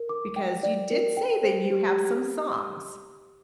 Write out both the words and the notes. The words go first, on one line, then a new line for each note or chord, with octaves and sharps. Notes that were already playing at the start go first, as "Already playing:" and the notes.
because you did say that you have some songs,
Already playing: A#4
D6
G5
D5
A#4
G5
C5
G4